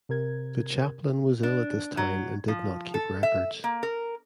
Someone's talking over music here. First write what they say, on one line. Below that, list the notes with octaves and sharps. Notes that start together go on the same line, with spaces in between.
The Chaplain was ill at this time and did not keep records.
C3 A#4 G#6
D4
F#3
F3
A4
E5
A#3
A#4